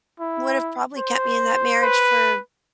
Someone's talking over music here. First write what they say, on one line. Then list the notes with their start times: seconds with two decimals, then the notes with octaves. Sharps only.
would have probably kept me in that marriage for
0.20 E4
0.98 C5
1.83 B4